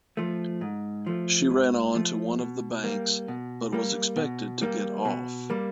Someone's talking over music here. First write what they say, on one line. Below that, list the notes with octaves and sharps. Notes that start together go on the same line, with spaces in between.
She ran on to one of the banks but was expected to get off.
F3 A3
G#2
F3 A3
G#2
F3 A3
B2
G3 A#3
B2
G3 A#3
B2
G3 A#3
B2
G3 A#3